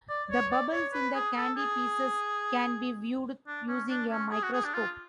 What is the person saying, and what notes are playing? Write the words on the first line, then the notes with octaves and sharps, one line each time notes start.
The bubbles in the candy pieces can be viewed using a microscope.
D5
C#5
D5
C#5
B4
G#4
A4
G#4
D4
C#4
D4
C#4
G#4
F#4
G#4
D4
F4